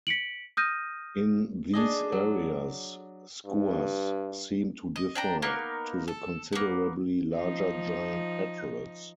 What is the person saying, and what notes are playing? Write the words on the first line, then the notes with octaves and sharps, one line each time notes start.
In these areas, skuas seem to defer to the considerably larger giant petrels.
B6 C#7 D7 F#7
D#6 F6 G6 A#6 D#7
D4 G#4 D#5
F#3
G2
D#5
D4 G5 A#5
A#3 B3 D#4 A#4
A4
A#3 B3
F3 D#4